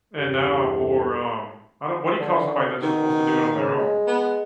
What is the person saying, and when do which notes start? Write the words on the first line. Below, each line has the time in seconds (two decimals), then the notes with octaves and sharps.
and now I'm more, um, I don't what do you call somebody that just wants to do it on their own?
0.17 E2 G2 G4 A4
2.19 D3
2.82 B2 D#3
3.55 C#3
3.79 G#3
4.07 B3